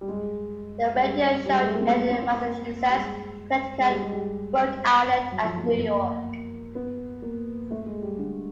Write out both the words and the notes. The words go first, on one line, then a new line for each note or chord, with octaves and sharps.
The radio show aired in Massachusetts, Connecticut, Rhode Island and New York.
G3
G#3
G#3
G3
G3
G#3
A3
A#3
C4
B3
C4
C4
C4
A#3
G3
G#3
G#3
G3
G#3
G3
F#3
F3
A3
B3
A#3
B3
A#3
A3
G#3
G3
D3